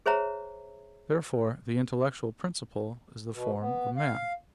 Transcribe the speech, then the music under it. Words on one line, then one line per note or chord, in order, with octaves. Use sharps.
Therefore the intellectual principle is the form of man.
G#4 C5 C#5 E5 A#5
B2
B3
F5